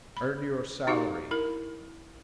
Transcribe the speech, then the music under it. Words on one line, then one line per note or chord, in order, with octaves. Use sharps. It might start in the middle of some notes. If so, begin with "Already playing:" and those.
"Earn your salary!"...
B5
D#4 F#4 G4 F5
E4 A#4